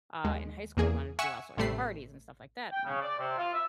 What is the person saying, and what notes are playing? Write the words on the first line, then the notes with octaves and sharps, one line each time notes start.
uh, in high school, he wanted to do all sorts of parties and stuff like that, and
D#2 G#3
E2 A#3 G#4
E5 F#5 G#5 C#6 E6 C#7
A1 C3 G3 A3 B5 C7
G5
C#3
D5
C3
F4
E5